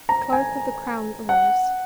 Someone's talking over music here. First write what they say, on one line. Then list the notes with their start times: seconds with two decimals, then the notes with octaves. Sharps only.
The Clerk of the Crown arose.
0.09 A#5
0.33 G#5
1.29 F#5